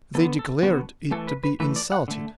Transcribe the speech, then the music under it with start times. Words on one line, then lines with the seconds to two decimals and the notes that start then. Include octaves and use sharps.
They declared it to be insulted.
0.15 D3 B3 A4
0.39 A4
0.63 D3 B3 F#4
1.11 E3 A3 A4
1.27 B4
1.44 B4
1.60 E3 A3 B4
1.76 D5
1.92 F#5
2.08 D3 A3